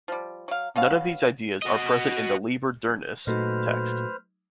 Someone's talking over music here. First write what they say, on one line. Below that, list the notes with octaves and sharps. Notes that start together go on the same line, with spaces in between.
None of these ideas are present in the "Liber Diurnus" text.
F3 G3
F#3 F5
B2 B3 C#5 F5
F#4 D#5
A#2 F#3 A3 D#4 B4 C5 F6